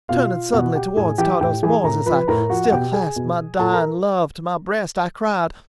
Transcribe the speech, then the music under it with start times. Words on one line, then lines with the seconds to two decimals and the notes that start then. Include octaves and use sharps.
Turning suddenly toward Tardos Mors as I still clasped my dying love to my breast I cried.
0.09 B2 F4 F5
0.53 B2 F#4 F#5
0.75 G4 G5
0.96 A2 G#4 G#5
1.18 E3 G4 G5
1.41 A2 G4 G5
1.63 E3 G#4 G#5
1.84 A2 A#4 A#5
2.06 F3 B4 B5
2.28 A2 A#4 A#5
2.50 F3 F#4 F#5
2.64 F#5
2.72 B2 G4 G5
2.93 G#4 G#5
3.16 B2
3.59 A#2 A4 A5
3.73 A#4 A#5